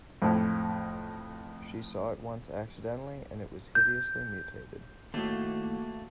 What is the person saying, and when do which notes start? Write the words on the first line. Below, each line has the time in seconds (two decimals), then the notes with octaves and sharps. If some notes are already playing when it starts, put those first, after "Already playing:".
She saw it once accidentally and it was hideously mutilated.
0.22 F2 A2
3.75 G6
5.14 D#2 A2 A3 A#3 F#4